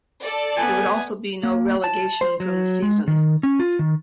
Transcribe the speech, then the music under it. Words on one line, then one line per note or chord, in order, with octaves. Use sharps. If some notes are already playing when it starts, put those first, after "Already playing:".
There would also be no relegation from the season.
A4 D5
B3 G#5
A#3
A5
C5
F#3
G#3
D#3
C#4
F4
D#3